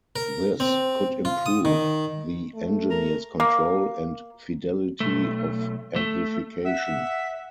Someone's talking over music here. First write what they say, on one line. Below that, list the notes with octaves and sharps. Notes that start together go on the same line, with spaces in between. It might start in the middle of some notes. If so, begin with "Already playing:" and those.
This could improve the engineer's control and fidelity of amplification.
A#4
C4
F4
D#6
D#3
A3
A#4
A#3
B1 A3
A3
E5 F#5